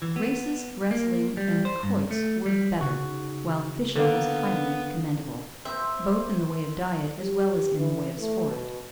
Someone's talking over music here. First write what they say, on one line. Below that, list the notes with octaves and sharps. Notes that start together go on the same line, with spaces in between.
Races, wrestling, and quoits were better; while fishing was highly commendable, both in the way of diet as well as in the way of sport.
E3
B3
A#3
G3
C5
G2
A3
G3
C#3 D#4 F#4
D3 A#3 B3
C4 C5 E5
G4
E3
A3
B2